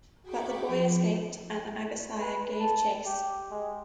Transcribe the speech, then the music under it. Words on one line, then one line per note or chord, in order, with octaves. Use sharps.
But the boy escaped and Agasthya gave chase.
F#4 G#4 G5 B5 C#6 D6
F3
B4
A5
G4
G#3